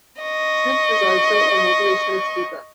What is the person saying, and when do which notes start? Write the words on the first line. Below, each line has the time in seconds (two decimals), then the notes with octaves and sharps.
Smith was also a motivational speaker.
0.22 D#5 C#6